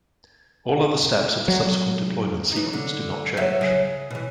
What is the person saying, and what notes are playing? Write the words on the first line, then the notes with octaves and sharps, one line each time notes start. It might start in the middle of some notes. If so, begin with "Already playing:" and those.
All other steps of the subsequent deployment sequence do not change.
F#3
E3 D#4
D3
F#3 E5
C#3
B2 E3